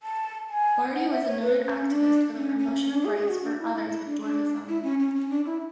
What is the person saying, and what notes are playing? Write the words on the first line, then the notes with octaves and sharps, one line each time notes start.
Barty was a noted activist for the promotion of rights for others with dwarfism.
A5
G#5
F#5
E5
C#5
B4
C#4
D4
C#4
C#4
C#4
D4
G#4
G#4
F#4
D4
E4
E4
E4
D4
D4
E4
C#4
C#4
C#4
D4
E4